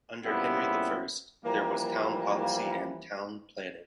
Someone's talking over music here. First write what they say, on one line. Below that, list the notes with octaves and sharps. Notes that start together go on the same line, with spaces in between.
Under Henry the First, there was town policy and town planning.
A#2 C#3 G3 B3 C4 E4
E3 F3 G3 A#3